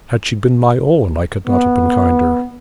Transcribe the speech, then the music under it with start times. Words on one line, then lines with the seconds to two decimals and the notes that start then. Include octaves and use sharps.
Had she been my own, I could not have been kinder.
1.47 B3